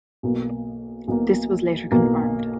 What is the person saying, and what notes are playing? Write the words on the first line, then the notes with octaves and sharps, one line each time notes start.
This was later confirmed.
B1 B2 A#3
B1 B2 A#3
B1 B2 A#3